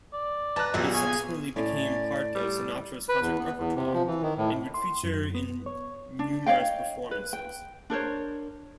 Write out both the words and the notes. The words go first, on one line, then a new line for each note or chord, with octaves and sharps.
It subsequently became part of Sinatra's concert repertoire, and would feature in numerous performances.
D5
B4 A5 A#5 F#6
B1 A#2 C#3 F#3 G3 B3
C#4 G#4 G#5
A2 C#4 D5
G3
B4
E2
B3
E2
C3
F3
E3
D#3
A2
C6
F#2
B3
C#5
D4
C#5 D#5 F5 G5
B4
G5
D4 A#4 C5 C#5